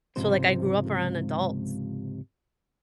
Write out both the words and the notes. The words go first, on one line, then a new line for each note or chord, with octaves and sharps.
So like I grew up around adults.
C#2 G#2 C3 F3 C5